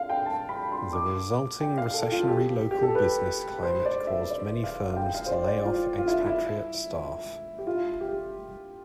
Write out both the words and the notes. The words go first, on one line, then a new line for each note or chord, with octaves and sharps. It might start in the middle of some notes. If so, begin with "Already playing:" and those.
The resulting recessionary local business climate caused many firms to lay off expatriate staff.
Already playing: F5
G5
A5
B5
C6
D6
G5
F5
A4
F4
A4
G4
G4
A4
B4
C5
D5
E5
D5
F5
F5
G5
F5
C5
D5
D5
F4
F4
E4
E4
G4
F4
G4